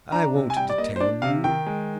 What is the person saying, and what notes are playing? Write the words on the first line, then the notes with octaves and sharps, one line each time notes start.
I won't detain you.'
D4 A#5
C3
G#5
G3 G5
D5
A#3 D#5
C5
D4 D5
C3 F5
D#3 G5
G#3